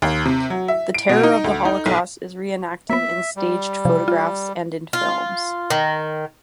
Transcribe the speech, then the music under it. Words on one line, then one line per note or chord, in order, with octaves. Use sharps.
The terror of the Holocaust is re-enacted in staged photographs and in films.
D#2
C3
F#3
E5
D7
B2
D#4
D2
D#4
B1
A#3 B3 E5
G3
C3 F3
F4
F4
D#3